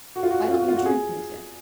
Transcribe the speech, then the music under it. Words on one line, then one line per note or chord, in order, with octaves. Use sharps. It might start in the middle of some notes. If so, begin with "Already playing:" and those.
Why don't you drink, Mitya?
F#4
F4
F#4
F4
F#4
F4
F#4
G#4